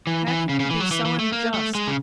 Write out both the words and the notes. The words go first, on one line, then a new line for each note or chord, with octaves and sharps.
How can you be so unjust?
E3
E3
C#3
C#3
E3
F#3
E3
E3
A3
A#3
A3
G#3
C#3